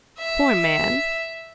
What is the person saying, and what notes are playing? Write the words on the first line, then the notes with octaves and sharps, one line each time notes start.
Poor man!
E5